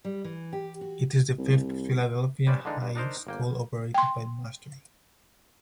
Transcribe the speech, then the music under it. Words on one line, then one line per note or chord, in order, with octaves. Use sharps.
It is the fifth Philadelphia high school operated by Mastery.
G3
E3
G4
F#4
C2
G3 C#4 B4 C5 D5 G5
D3 E3 G#3 D4 D#4
G2
D4 D#4 A#4 C5
G1 A#3 G5
G5 C6